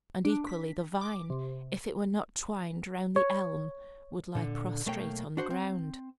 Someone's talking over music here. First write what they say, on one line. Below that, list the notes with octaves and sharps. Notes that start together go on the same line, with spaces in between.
And equally the vine, if it were not twined round the elm, would lie prostrate on the ground.
D4
B6
D6
C3
C#5
A#2 D3
B1 A3 A#3 C#5 G5
D4 F#4 C5
C4